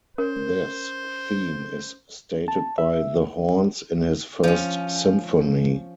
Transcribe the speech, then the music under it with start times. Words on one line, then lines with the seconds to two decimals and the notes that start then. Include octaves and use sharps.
This theme is stated by the horns in his first symphony.
0.18 C#4 A#4 C5
2.48 A5
2.78 E5
4.43 F3 C#4